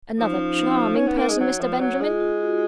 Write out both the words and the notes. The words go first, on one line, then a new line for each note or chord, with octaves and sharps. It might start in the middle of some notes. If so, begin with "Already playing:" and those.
Another charming person, Mr. Benjamin!
F3 D#4
C#4
D#4
C#4
B3
A#3
G#3
F#3
F3
F#3
G#3 F4
F4
F#4